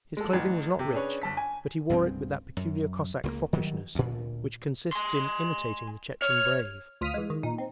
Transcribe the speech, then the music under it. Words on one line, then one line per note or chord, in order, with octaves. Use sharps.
His clothing was not rich, but he wore it with that peculiar Cossack foppishness which consists in imitating the Chechen brave.
G#3 A4
A1
C3
C#4 D4 G#4 B4 C#5
G1 A5 B6
G#5
C2 G2 C#3 C4
F#2
C#2 G3 A#3
D#3 F#3 G3
D2 A#2
G#5 C6
C#5 F6
D2 F4 D#6 F6 B6 D#7
E3 G#3
D#3
A#2 D#4
C4